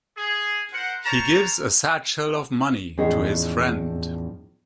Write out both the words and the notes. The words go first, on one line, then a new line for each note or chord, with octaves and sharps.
He gives a satchel of money to his friend.
G#4
A#4 C5 F#5
A#4 C5 C#5 A5 A#5
E2 A2 F3 C#4 D#4 G#4